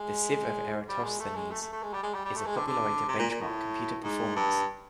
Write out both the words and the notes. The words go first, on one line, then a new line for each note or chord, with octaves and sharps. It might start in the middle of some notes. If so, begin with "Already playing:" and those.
The sieve of Eratosthenes is a popular way to benchmark computer performance.
Already playing: G#3
G3
G#3
A3
G#3
A3
A3
A3
G#3
G3
G#3
G3
G3
A3
G#3
D3
D3
C3
A#2
A#2
A2
G#2
G2